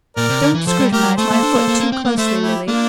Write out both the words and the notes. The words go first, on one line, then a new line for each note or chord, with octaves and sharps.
"Don't scrutinize my foot too closely, Lily."
A#2 A#4 D5
C3
D3
E3
F3 A4 C5
G3
A3 G4 A#4
G3
A3 A4 C5
A#3
D4
A#3
A#3
A#3
C4
A#3
A3 C5 E5
E4 G4
A#3 D4 F4